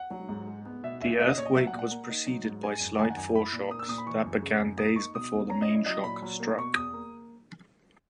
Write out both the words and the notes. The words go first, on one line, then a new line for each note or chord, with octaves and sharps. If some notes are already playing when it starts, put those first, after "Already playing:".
The earthquake was preceded by slight foreshocks that began days before the mainshock struck.
Already playing: F#5
F#3
G#2
G#3
B3
B2 E5
E2 E5
C#4 E5
D#5
A#2 C#5
D#5
F#3 E5
F#5
A#2
F#5
A#3
D#4
F#3
G#2
G#3 G#5
F#2
D#3 G#5
F#5
F#2 G#5
E4 B5
A#2
A#3 D#6
E6
A#2 D#6
B5
E3 C#6
F#2
C#3
F#2
A#3 D#6
D#4 C#6
B2 D#6
E2
C#4 A#5
D#5
E4
D#5
F#3 D#5
A#2 B5
F#3
A#3
B2 C#6
E2 D#6
A#3